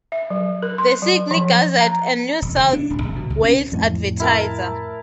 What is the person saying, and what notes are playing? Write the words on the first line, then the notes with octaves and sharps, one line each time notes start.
The Sydney Gazette and New South Wales Advertiser.
E5
F#3
A#4
C6
F#3
F3
A#5
E1
C#3
D4
D1
G1
B2
C#2
C#4
F2 A2
E4 A#4 A5